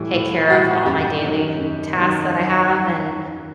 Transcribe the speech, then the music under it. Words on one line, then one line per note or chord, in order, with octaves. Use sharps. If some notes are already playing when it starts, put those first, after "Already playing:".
take care of all my daily tasks that I have. And
Already playing: A2 E3 G3
A2
E3 G3 F#4
F#2 G4
D#3 F#3
F#2
D#3 F#3